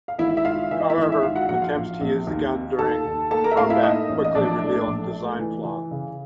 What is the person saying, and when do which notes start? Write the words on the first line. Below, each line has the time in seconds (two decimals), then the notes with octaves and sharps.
However, attempts to use the gun during combat quickly revealed design flaws.
0.08 F5
0.19 G#1 E4 E5
0.37 E5
0.45 G#2 F4 F5
0.71 E3 E5
0.80 D#5
0.90 E4 E5
0.97 G#1
1.12 E5
1.23 G#2 F4 F5
1.36 F#4 F#5
1.49 A#1 F#4 F#5
1.62 F4 F5
1.75 A#1
2.01 A#1
2.27 D#2
2.53 D#3
2.79 D#2 A4 A5
3.05 D#2
3.31 A#3 A4 A5
3.44 A#4 A#5
3.51 E5
3.57 A2 F4 F5
3.70 E4 E5
3.83 A#3 D#4 D#5
4.09 A1
4.24 D#5
4.35 A#1 D4 D5
4.61 A2
4.87 A#1
5.13 A3
5.39 E3
5.65 E3
5.91 C#3